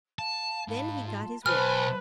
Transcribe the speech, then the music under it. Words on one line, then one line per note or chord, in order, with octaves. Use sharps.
Then he got his whip.
F5 A5
G#2 F5 A5 B5
F4 A5
B1 B4 C5 G#5 A5 B5 F6